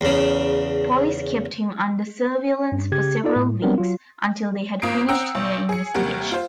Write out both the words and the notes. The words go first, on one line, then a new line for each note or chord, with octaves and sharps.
Police kept him under surveillance for several weeks, until they had finished their investigation.
E2 C#3
G2
C#3 G4 G#6
D#4 F4 A4 D5
A2
F#3 G3 B3 C4 D4 A#4
F#3 F4
G#1 A#3 F4 D#6 C7 D7
C4 F#5 G5 A#5 E6 D7
B1
G#4 C#7
D#2 C3 G3 A#4 F#5
F4 C5